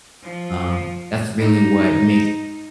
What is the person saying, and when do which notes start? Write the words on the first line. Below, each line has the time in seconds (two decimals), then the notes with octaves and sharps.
um, that's really what makes
0.23 F3
1.39 D#4